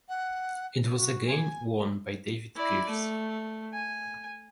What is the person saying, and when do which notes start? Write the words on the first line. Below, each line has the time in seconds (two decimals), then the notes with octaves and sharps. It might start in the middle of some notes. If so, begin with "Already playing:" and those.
It was again won by David Pearce.
0.09 F#5
0.95 F#4
1.26 G#5
2.55 E4 D5
2.89 A3
3.74 G#5